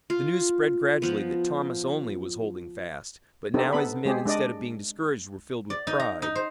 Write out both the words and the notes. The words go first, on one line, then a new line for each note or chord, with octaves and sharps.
The news spread gradually that Thomas only was holding fast, but now his men instead of being discouraged were filled with pride.
F4
F3 B3
B3 C4 D4 D#4 G4 A4
B3 A4 B5
G#3 C4 G4 G#4
G#3 D4 D5 D#5
D5
D#4
A#5
D#4
C5